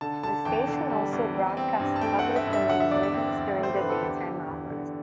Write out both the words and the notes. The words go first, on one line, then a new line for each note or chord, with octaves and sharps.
The station also broadcast public domain movies during the daytime hours.
D3 A5
D3 A5
E2 G5
D3
G3
E2
C4
C4
G2
A5
A3 G5
F#5
C4
E5
G2
E5
D3 F#5
E5
E2 D5
E5
C4
E2
A3 C5
D3 B4
A4
E2 G4
D3
E2
D3